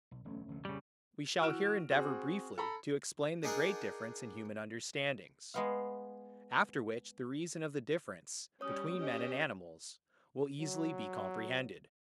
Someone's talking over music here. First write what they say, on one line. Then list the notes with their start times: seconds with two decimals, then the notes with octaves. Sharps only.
We shall here endeavour briefly to explain the great difference in human understandings: After which the reason of the difference between men and animals will easily be comprehended.
0.11 B1
0.25 E1 D2 D3 F#3 A3 C#4
0.48 F1 D2 C3
0.65 F2 A#2 C#3 G3
1.40 E3 F#4 E6 F6 D7 E7
1.90 C4 F#4 G#4
2.58 A4 A#5 B5
3.43 D4 D#4 G#4 A#4 F#5
5.54 G#3 B3 F5
8.61 G3 C#4 C#5 D#6
8.97 C#4 G4 D#5
10.61 F#3